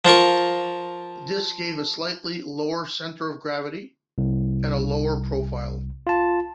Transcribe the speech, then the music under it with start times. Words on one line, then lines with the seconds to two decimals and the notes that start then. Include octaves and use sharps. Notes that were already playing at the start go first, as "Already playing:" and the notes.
This gave a slightly lower center of gravity and a lower profile.
0.05 F3 F4 A#4 C#6
4.18 C2
6.07 F4 A5